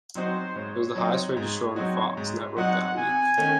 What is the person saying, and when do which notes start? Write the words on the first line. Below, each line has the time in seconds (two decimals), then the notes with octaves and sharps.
It was the highest-rated show on the Fox network that week.
0.15 F#3 C4 D#4 F#4 C5
0.55 G#2 C#5
0.95 F#3 C4 D#4 F#4
1.37 G#2
1.76 F#3 C4 D#4 F#4
2.17 G#2
2.57 F#3 C4 D#4 F#4 F#5
2.97 C3 G#5
3.38 D#3 A3 C#4